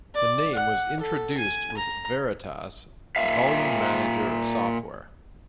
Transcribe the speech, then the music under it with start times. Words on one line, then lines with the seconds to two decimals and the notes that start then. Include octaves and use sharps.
The name was introduced with Veritas Volume Manager software.
0.15 D5
0.54 F#5
1.00 A4
1.38 G#5
1.77 A#5
3.16 A#2 E5 F5